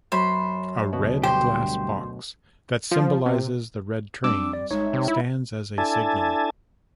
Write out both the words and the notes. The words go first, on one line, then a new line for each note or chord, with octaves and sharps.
A red glass box, that symbolizes the red trains, stands as a "signal".
F#2 C5 B5
D2 B2
G2 G4 C5
F3
C3
G3 C4 D4 D6 E6
D5
G#1 G#3 D#4 C#5 E5
C3
E4
D4 E4 A4 G#5 A5